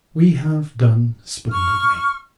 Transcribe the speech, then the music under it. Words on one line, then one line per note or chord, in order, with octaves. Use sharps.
We have done splendidly.
C#6 F6